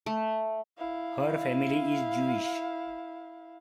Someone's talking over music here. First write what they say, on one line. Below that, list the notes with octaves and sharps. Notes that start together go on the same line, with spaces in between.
Her family is Jewish.
A3
E4 F5